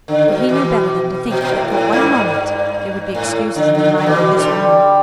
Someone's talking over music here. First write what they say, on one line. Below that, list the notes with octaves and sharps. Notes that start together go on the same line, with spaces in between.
But he knew better than to think that for one moment they would be excuses in the mind of this woman.
D3
B2
B2 E3
B2
B2
A2
A2
G2
A2
D3
D3
D3
B2 E3
D3 G3